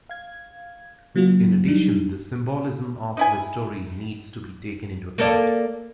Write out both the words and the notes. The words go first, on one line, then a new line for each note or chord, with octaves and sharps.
In addition the symbolism of the story needs to be taken into account.
F5 G#6
C#3 F#3 A#3 F4 F#4
F#3 G3 D4 D#4
D#4 E4 G#5
A#3 A4 D5